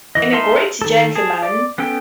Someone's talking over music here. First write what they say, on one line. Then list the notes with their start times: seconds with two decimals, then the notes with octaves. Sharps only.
And a great gentleman.
0.15 E3 D#5
0.32 D#4 E5 F5 A5 C6
0.82 D#3 A4
1.15 G#4 A5
1.42 D5
1.78 B3 C#4 A4 G5